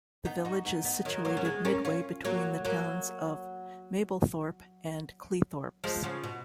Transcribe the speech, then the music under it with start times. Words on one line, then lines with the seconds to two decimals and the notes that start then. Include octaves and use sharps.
The village is situated midway between the towns of Mablethorpe and Cleethorpes.
0.25 B3 D#4
0.45 D#4 F#4
0.65 B3 D#4
0.85 B3 D#4
1.05 D#3 F#3
1.25 F#3 A#3
1.37 C#4
1.45 G#3 B3
1.65 A#3 C#4
1.85 C#4 F4
2.25 F#3 A#3
2.65 F#3 A#3
5.84 F3 G#3
6.03 C#3 F3
6.24 B2